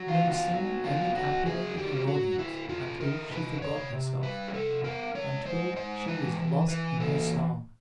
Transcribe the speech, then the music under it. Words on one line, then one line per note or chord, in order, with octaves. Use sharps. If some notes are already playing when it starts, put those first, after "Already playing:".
No singer ever captivated her audience until she forgot herself, until she was lost in her song.
Already playing: F#3
F4
B3
F4
F#3
B3 F4
F#3 F#4
F#3 G#4
F#3 G4
F#3 F#4
D3 E4
D3 F4
D3 A#4
C3 B4
C3 C#5
C3
G3 B4
G#4
C3 A4
B3 A#4
G#3 C#5
G#3 C5
G#3 C5
E3 B4
E3
E3 B4
A#3 A4